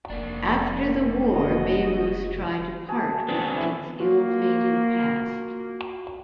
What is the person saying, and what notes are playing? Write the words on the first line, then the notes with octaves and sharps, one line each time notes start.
After the war Bayreuth tried to part with its ill-fated past.
F1 A#3 D4
F#4 D#5
F#4 G#4 A5
B3 C4 D4
E4 D6
A#3 F4 F#4